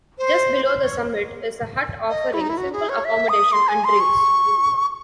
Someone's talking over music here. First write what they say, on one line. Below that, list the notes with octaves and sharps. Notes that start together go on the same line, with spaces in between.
Just below the summit is a hut offering simple accommodation and drinks.
C5
C5
C#5
D#5
E4
D#4
E4
F#4
G#4
C#5
E5
D#6
C6
G#5
C6
C#6